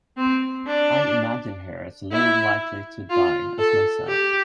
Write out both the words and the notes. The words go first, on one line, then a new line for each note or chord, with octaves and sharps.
I imagined her as little likely to die as myself.
C4
D4
E4
F4
A4
G4